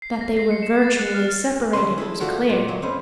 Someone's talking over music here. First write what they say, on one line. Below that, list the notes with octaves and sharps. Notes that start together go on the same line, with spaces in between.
That they were virtually separated was clear.
C7
A#6
C7
C#7
E7
A6
F#6
F6
E2 D3 C#4 B4 G#5 C6
E4 G#4 A4
F3 A3 F#4 A4 C#5 D5
A#2
D#2 A#2 D3 F#3
F2 C#4 B4 C5